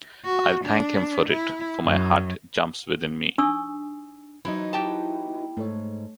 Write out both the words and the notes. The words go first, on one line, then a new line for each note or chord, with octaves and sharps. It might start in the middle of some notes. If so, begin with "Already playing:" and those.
I'll thank him for it, for my heart jumps within me.
F#4
D4
E4
F#2
D4 D#4 G#5 C#6 D#6 E6
E3 F#3 D#4 E4 C5 D#5
E4 G4 G5 A5
G#2 A3 A4 C#5